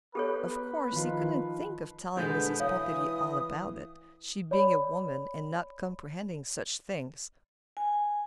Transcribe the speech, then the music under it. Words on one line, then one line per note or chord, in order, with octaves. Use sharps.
Of course, he couldn't think of telling Mrs. Pontellier all about it, she being a woman and not comprehending such things.
B3 G4 A4 B4 C#5
D#3 F3 F4
B2 D3 G#3 B3 C5 G6
E3 C#5 F5 D#6
C#5 D5 B5
G#5